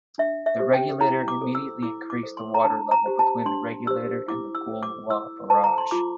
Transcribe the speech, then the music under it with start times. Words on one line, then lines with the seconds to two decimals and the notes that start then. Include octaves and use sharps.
The Regulator immediately increased the water level between the Regulator and the Goolwa Barrage.
0.18 D4 E5
0.46 E5
0.59 G4 C5
0.74 G5
1.00 E4 A#5
1.28 D6
1.41 A4 C5
1.55 E6
1.83 E4 D6
2.10 D6
2.23 A4 C5
2.37 C6
2.54 A#5
2.64 D4 A5
2.91 A#5
3.06 G4 C5
3.19 A5
3.46 D4 C6
3.87 G4 C5 E6
4.28 E4 D6
4.55 E6
4.68 A4 C5
4.83 D6
5.10 E4 E6
5.50 A4 C5 A5
5.64 A#5
5.78 C6
5.91 F4 D6